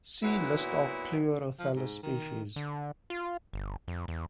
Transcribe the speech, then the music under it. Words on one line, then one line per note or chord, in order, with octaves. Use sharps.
See List of Pleurothallis species.
A#2 F#3 B3 E4 F#4
F3
G#2
D#3
D3
F4
G1
F2
E2